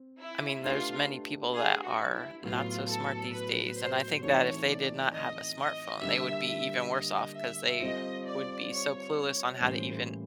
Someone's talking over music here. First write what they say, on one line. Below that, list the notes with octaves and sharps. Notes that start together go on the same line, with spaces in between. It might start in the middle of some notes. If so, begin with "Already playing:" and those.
I mean, there's many people that are not so smart these days, and I think that if they did not have a smartphone, they would be even worse off 'cause they would be so clueless on how to even
Already playing: C4
E4
A3 D4 F4 G4 B4
G#4
F#4
E4
A2 F#3 B3 F4
A4
B4
C5
E3 A3 C4 D#4 F#4 C#5
D5
D#5
D#5
D3 G3 A#3 D4 G4 E5
E5
D#5
E5
G3 C4 F4 A4 C5 D#5
D5
C#5
C#5
A2 E3 G3 A#3 C#4 C5